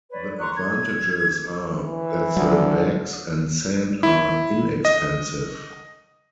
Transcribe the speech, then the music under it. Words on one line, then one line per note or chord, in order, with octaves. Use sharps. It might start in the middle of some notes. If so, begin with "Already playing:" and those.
The advantages are that the bags and sand are inexpensive.
B4 C#5 D5
A#5 C6 C#6 F#6
G#6
E3
D3 F#3
E4
D#5